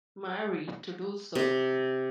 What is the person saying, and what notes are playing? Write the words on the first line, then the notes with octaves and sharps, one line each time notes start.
Marie to do so.
C3